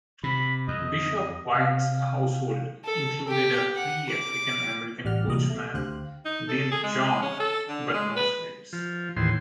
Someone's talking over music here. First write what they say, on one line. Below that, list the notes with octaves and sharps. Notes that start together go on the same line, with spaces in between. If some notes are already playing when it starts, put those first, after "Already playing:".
Bishop White's household included a free African American coachman, named John, but no slaves.
C3 B5
F2 D#5
C3 F5
A4
G4
F#5
D6
A1 G3 D5 F#5 F6
C2 A#2 E3 F#3 G3 D#5
A3
D2 G4 C5 F5 F#6
D#4
A4
G#4
G#3
C#4
A4
D3
G#3
B4
F3
D#2 A2 E3 C6